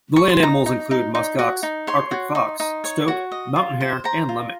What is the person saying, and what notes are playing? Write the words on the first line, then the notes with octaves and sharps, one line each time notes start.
The land animals include muskox, Arctic fox, stoat, mountain hare and lemming.
C#6
C6
D#4 A#5
D#4
D#4
D#4
F#4
D#4
C#5 C6
F#4
D#4
D#4
C#5
F#4
D#5
F4
C5
C5 A#5
F4